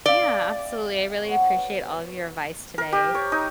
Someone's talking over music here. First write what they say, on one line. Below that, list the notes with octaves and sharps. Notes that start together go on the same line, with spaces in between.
Yeah. Absolutely. I really appreciate all of your advice today,
C3 D5 F5 G7
B3 F#4 C#5
A#4
G4
C#5
D#4